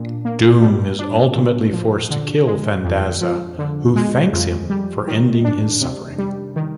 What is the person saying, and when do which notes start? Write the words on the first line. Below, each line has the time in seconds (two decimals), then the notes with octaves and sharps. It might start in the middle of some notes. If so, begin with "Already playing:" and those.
Doom is ultimately forced to kill Thandaza, who thanks him for ending his suffering.
Already playing: A#2 D4
0.25 A#3
0.62 G3
0.99 D4
1.36 A#2
1.73 F3
2.10 D3
2.47 G#3
2.84 F2
3.21 F3
3.59 D3
3.96 G#3
4.33 F2
4.70 G3
5.08 D#3
5.45 D4
5.81 C3
6.18 G3
6.56 D#3